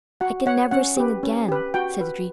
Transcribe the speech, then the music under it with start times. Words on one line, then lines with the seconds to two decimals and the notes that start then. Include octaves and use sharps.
"I can never sing again," said the dream.
0.21 F#4 F#5
0.46 C#5 F#5
0.71 C#4 F#5
0.97 G4 B4
1.23 C#4
1.48 G4 B4
1.74 F#4 G5
2.01 B4